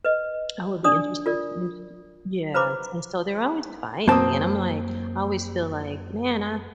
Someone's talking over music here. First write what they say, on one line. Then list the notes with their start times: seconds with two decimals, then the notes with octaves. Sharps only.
I would be interested interested yeah, and so they're always fighting, and I'm like I always feel like, "Man, I"
0.05 B4 D#5
0.84 D4 D5 D#6
1.26 F4 A#4 D5
2.54 B4 C5 A#5 B5 D6
4.08 F#2 F#3 A#3 C4 A5 D#6